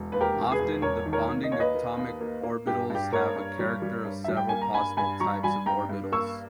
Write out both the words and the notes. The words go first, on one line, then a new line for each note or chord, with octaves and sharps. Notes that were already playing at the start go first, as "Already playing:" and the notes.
Often, the bonding atomic orbitals have a character of several possible types of orbitals.
Already playing: E1
D#2 B4
G4 A#4
E1
G#4 B4
E1
E1 A#4 C#5
D#3
A#4 C#5
A#3
D#5
D#2 C#5
B4 D#5
A#3
D#2
A#3
A#3
G2 G4
G2 G4
A#3 A#4 C#5
G2
G3
G3
G2
G3 E5
G5
A#3 G#5
A#5
G2 G#5 B5
G2 G#5 B5
G3 A#5 C#6
G3 G#5 B5
G2 G5 A#5
G2
A#3 C#6 E6